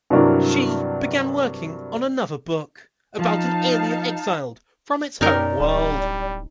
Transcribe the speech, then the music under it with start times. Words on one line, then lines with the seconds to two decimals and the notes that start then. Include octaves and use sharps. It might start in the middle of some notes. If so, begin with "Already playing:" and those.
She began working on another book about an alien exiled from its home world.
0.10 G2 C3 F#3 D4 E4 A#4
3.19 F3 D#4 F5 A5
5.21 F#2 C#4 D#4 G4 A#4 D5
5.60 D1 G3